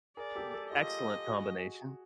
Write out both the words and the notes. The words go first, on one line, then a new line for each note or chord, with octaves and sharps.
Uh, d excellent combination.
G#4 A#4 D5
G4 A4
G4 A4
F4 G4 D#5
F#4 G#4